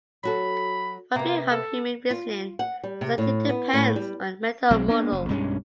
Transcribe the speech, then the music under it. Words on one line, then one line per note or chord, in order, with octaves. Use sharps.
One view of human reasoning is that it depends on mental models.
F#3 F#4 A4 B5
C3 A#3 B3
A4
F4
F#5
G3
C3
A2
B3
A2
G3
B1 F#3 C4
A#3 B3 D4
F#1
B1 G2 G#3 C#4